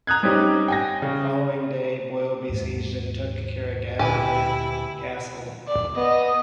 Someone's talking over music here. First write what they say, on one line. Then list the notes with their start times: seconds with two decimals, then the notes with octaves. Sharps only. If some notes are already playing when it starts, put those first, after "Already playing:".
The following day, Boyle besieged and took Carrigadrohid castle.
0.07 A#5 D#6 F#6 G#6
0.23 G3 C4 C#4 D#4 G4
0.68 G5 G#5 A#6
1.02 C#3
2.49 D#2 G#2 A#3
3.99 D2 A#2 E4 G4 G#5
5.67 D5
5.96 B3 D#5